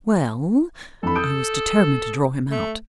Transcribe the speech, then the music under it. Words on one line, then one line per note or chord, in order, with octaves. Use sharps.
"Well--" I was determined to draw him out.
F2 E3 A4 B5
D#6 G6 D7
A3